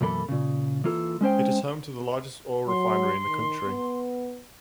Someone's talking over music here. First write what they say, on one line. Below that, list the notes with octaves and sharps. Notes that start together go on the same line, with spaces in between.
It is home to the largest oil refinery in the country.
B1 F#2 E3 A#3 A4 B5
A#2 C#3
E3 A#3 F4 A4
G#3 C#4 C5 G5
F#3 C6
D#3
B3